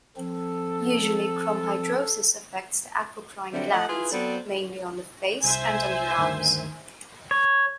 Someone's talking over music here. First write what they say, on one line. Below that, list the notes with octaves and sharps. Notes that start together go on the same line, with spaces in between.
Usually chromhidrosis affects the apocrine glands, mainly on the face and underarms.
F3 C4 A4
D3 F#3 G3 C4 F#4 E5
F3 A3 D#5 F#5
E4 F4 G#4 B4
F#3 B3 C4 A4 C5 D5
C2 C5 E5 G#5
D2 G2 D#3
C#5